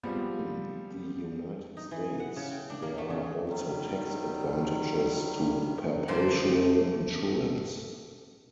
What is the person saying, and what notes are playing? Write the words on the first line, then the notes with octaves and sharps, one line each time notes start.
In the United States, there are also tax advantages to perpetual insurance.
F3 G3 G#3 B3 C4
D#4
E3
F#5
C#3
G5
D4
A#3
A3
C#3
D#3 F#3 G3
G#2 D3 A3 C5